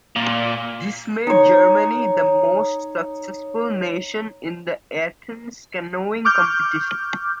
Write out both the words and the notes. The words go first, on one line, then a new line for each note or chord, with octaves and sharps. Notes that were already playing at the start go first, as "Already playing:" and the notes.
This made Germany the most successful nation in the Athens canoeing competition.
A#2
D#4 C#5
C#6 D6 F6 G6